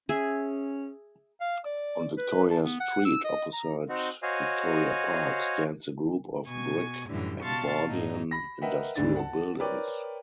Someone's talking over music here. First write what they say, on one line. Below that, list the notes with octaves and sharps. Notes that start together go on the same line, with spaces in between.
On Victoria Street opposite Victoria Park stands a group of brick Edwardian industrial buildings.
C#4 G#4 E5
F5
D5
B4
A5
B3
F#5
E6
D#5
A#5
C4 D#4 F#4
F#4 C5 C#5 D#5 F5 G#5
B2 G#5 C#6
F#2 A2 D3 E3 G3
B2 F5 A5 C6 C#6 A6
F#2 A2 F#3 D#4
B5 A#6
A#4 B4 D#5 E5 F#5 G5
D2 G#2 D3 B3 D4 A6
F#5 A5
A#4 B4 C#5 D5 G5 D6